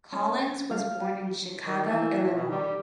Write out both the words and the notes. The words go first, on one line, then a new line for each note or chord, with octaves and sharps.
Collins was born in Chicago, Illinois.
C#4
F5
D#3
E3
B2
G3